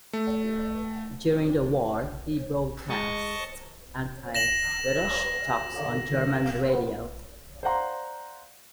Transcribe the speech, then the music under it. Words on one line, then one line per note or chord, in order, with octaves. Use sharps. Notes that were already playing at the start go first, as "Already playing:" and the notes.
During the war, he broadcast anti-British talks on German radio.
A3
G#3 D#5 A5 C#6
A#6 E7 F#7
C5 D5 F5 F#5 A#5 C6